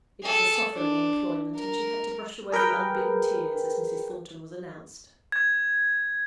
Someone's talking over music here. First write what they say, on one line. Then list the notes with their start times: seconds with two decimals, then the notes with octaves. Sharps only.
It was a softening employment, and she had to brush away the unbidden tears as Mrs. Thornton was announced.
0.22 G#4 A4
0.72 D4
1.55 A#4
2.52 G#4 A#4 B4 G5
5.32 G#6